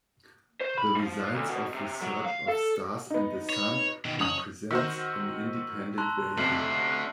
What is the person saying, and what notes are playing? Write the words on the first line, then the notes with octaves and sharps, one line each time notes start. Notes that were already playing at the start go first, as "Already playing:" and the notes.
The results of research of stars and the Sun represents an independent value.
C5
B5
F3
D2
B2
C3
F#3
F5
A4
B3 D#4
C#5
B2 D#3
F#1 C#5 D#6 F#7
D#3 F#4 C5 C#6 E6 B6
A5 A#5 C6 F#6
B1 C3 A3 D4 F6 C7 F#7
F#6